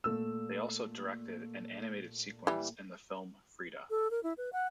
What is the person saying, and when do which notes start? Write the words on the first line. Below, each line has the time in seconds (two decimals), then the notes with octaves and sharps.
They also directed an animated sequence in the film Frida.
0.04 A#2 A3 E6
2.47 E3 G3
3.90 A4
4.11 A#4
4.23 E4
4.37 B4
4.53 F#5